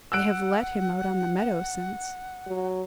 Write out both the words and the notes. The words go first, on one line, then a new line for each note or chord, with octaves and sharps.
"I have let him out on the meadow since."
F#5 E6 F#6 D7
F#3